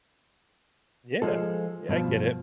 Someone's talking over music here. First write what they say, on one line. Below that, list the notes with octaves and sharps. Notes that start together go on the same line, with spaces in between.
Yeah. Yeah, I get it.
F3 G#3 A4
G2 B2 F3